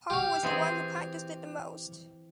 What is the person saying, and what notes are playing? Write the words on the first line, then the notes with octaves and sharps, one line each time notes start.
Paul was the one who practiced it the most.
G4 F5
E3 C4 G#4